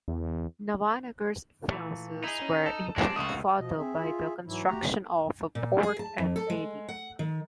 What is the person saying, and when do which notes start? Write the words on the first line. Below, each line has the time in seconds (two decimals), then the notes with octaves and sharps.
Nawanagar's finances were improved further by the construction of a port at Bedi.
0.08 E2
1.71 A#2 E3 A3
2.24 D#4 E4 G#4
2.41 C#4
2.66 A4 A5
2.96 G#3 C4 D4
3.16 C#2 A3 F4 F#4 C#6 D#6
3.60 B2 F3 D#5
3.77 C4 G#4 E5
3.99 F4
4.47 G#2 E3 F#3 E4
4.68 A3 F#4 G4 A#5
5.55 A#2
5.83 G#4
5.99 A5
6.18 F2
6.36 A4
6.50 G#3
6.89 F#5
7.19 D#3